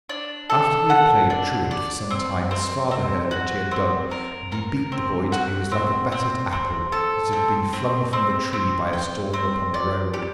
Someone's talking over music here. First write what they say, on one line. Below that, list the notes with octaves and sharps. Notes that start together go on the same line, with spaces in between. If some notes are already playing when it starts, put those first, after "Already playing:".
After he had played truant for some time his father heard what he had done, and he beat the boy till he was like a battered apple that had been flung from the tree by a storm upon a road.
D4
A4
F#5
D4
D5
C4
C4
C4
F#4
C4
A#4
A#4
C4
F#4
C4
C4
C4
A4
C4
C4
C4
C4
G5
C4
D5
G4